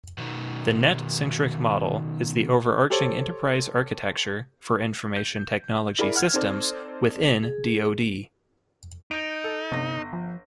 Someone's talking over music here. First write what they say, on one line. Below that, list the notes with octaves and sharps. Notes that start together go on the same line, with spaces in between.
The net-centric model is the overarching enterprise architecture for information technology systems within DoD.
B2 D#3
G4 A4 C5 C#5
G6
E4 G#4 A#4 D5 B5
F#5 F6 G#6
C4 D#4 A4 C5 D5
G#4
D#4 G6 D7
A4
G1 C3 A#6
F3